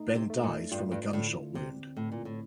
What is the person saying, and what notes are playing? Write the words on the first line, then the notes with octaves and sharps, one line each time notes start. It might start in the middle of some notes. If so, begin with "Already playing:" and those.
Ben dies from a gunshot wound.
Already playing: A3 D#4
C3
A3
A#2
G2 F4
G2
A2 D3
C3 C4
A2 A3
A#2
A2